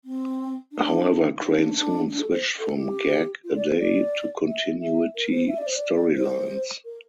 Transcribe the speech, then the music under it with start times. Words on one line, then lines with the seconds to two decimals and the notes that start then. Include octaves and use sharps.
However, Crane soon switched from gag-a-day to continuity storylines.
0.05 C4
0.72 D4
1.41 D4
1.50 C4
1.58 D4
1.75 D4
2.09 D4
2.19 A4
2.31 C5
2.59 A4
2.77 G4
3.44 F4
3.55 D5
3.67 C5
3.79 D5
4.46 E5
4.80 E5
5.15 A#4
5.32 C5
5.48 E5
5.58 D5
5.66 C5
5.76 D5
6.17 C5
6.85 A#4